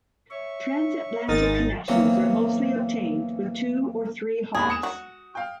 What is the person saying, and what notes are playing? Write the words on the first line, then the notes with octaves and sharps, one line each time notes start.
Transatlantic connections are mostly obtained with two or three hops.
C#5 E5 C#6
G#1 G#3 D#4 A#4 D#6 A6
E2 C#3 F#3 A#3 C4
E1 D#2 G#4 B5
D#6 C#7 E7
F#4
F5 G5